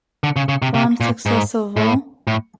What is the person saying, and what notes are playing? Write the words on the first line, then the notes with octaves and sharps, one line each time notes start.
Bom Sucesso Vol.
D3
C#3
C#3
C3
C3
A#2
G#2
A2
A2